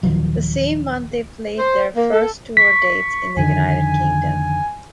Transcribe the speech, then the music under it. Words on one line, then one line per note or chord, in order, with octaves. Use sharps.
The same month they played their first tour dates in the United Kingdom.
D#1 D#3 F3 F#3
C5
A#3
A4
C#6 B6
F2 D3 D#3 G#5